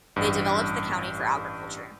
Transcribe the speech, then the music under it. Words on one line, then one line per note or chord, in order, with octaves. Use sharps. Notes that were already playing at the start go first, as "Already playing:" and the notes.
They developed the county for agriculture.
A1 G2